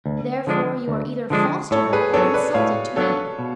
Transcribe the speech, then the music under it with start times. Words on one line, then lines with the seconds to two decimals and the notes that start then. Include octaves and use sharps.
Therefore, you are either false to her or insulting to me.
0.06 D2
0.47 D3 F3 G#3 D4
0.88 D2
1.30 D3 F3 G#3 D4
1.71 A2 A4 C#5
1.93 G#4 B4
2.13 F#3 B3 D4 A4 C#5
2.34 B4 D5
2.54 A2 C#5 F5
2.96 F#3 B3 D4 A4 C#5
3.39 B2